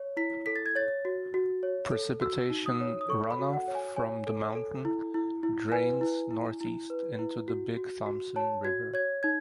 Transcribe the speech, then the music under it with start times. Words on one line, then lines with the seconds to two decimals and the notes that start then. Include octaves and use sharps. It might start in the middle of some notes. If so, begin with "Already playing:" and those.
Precipitation runoff from the mountain drains northeast into the Big Thompson River.
Already playing: C#5
0.17 E4 B6
0.46 A4 B6
0.56 A6
0.66 G#6
0.76 C#5 A6
1.05 F#4
1.34 F#4
1.63 C#5
1.92 A4
2.21 F#4 E6
2.50 D#4
2.66 D#6
2.81 C#5
3.01 D#6
3.09 A4 C#6
3.31 B5
3.39 F#4
3.53 F#5
3.68 C#5
3.75 G#5
3.96 C#5 G#5
4.27 A4
4.55 A4
4.85 E4
5.14 E4
5.43 E4
5.72 B4 G#5
6.01 E4
6.31 E4
6.61 E4
6.90 B4
7.19 E4
7.48 F#4
7.77 F#4
8.06 F#4
8.36 C#5 A5
8.65 F#4 G#6
8.94 C#5 G#6
9.23 D#4 G#6